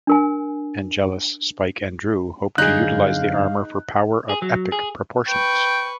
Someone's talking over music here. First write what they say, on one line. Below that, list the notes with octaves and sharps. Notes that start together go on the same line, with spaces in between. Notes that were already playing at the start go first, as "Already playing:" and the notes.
Angelus, Spike and Dru hope to utilise the armour for power of epic proportions.
D4 A#4 G#5
F#2 D3 D#4 G#4 F5 F#6
G#4
F#3
G#4
B4 G5 C#6